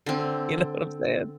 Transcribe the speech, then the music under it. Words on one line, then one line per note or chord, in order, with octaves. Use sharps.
you know what I'm saying?
D3 C4